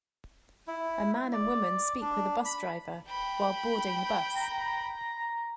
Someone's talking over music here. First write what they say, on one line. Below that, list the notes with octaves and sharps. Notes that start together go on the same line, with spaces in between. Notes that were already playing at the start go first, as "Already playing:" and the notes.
A man and woman speak with a bus driver while boarding the bus.
E4
D5
D4
B5
G5 B5
A#5